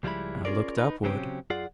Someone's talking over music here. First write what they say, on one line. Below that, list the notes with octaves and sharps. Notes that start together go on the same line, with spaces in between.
I looked upward.
C#2 F3 G3 G#3 E4 B5
C#4 F4 G#4 A#4 D5
D#4 B4
C#3 F#3 C4 C#4 G4
F#2 F4 G#4 D5 F#5